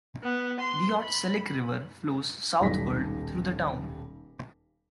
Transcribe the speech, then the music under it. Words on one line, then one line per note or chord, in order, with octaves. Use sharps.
The Otselic River flows southward through the town.
B3
C6
B5
D#1 B1 G3 A#6 B6